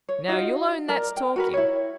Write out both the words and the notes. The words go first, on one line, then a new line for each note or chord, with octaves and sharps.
Now, you'll own that's talking.
C#5
D#4 F4 F#4 D#5
A#4 D5 A#5
G5
F#4 A#4 B4
E4 C#5